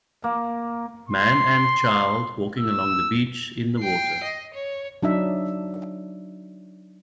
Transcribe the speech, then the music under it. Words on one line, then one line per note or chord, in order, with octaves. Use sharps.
Man and child walking along the beach in the water.
A#3
C6
E6
G5 C7
D#5
C#5
F#3 D4 D#4 E5